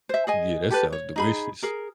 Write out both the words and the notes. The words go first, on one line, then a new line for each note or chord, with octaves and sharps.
Yeah, that sounds delicious
C5 E5
G#4 D#5 G#5
G4 A4 B4
C#5
D#4 G#4 B5
G#4 A#4